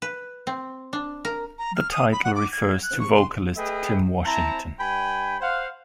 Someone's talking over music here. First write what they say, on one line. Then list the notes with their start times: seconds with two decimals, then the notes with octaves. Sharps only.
The title refers to vocalist Tim Washington.
0.02 B4
0.47 C4
0.93 D4
1.25 A#4
1.58 A#5
1.76 F6
1.92 D#6
2.12 B5
2.24 F#5
2.35 D6
2.52 G#6
2.83 F#6
3.00 C#6
3.14 C6
3.56 A3 G#4 B4 D#5 E5 G5
4.24 C4 E4 C5 A5 A#5
4.79 G2 G5 G#5 B5
5.40 C5 F5 F#5